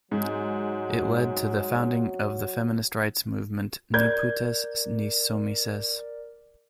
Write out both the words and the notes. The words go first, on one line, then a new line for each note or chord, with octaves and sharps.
It led to the founding of the feminist rights movement Ni Putes Ni Soumises.
G#2 F#3
A#4 D5 G6 G#6